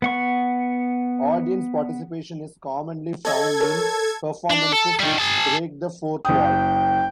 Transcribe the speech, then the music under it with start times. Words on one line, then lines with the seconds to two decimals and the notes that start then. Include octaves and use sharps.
Audience participation is commonly found in performances which break the fourth wall.
0.02 B3 F#5 C#6
3.25 A4 C#5 D#5 G#6
3.60 A#4 C#5 A5
4.50 D4
4.72 A4
4.99 D#3 G3
5.19 G#4 A5
6.25 F#1 G5 D#6